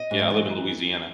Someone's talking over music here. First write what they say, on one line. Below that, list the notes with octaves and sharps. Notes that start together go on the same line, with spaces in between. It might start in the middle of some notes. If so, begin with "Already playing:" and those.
yeah, I live in Louisiana.
Already playing: D#5
G#2
E3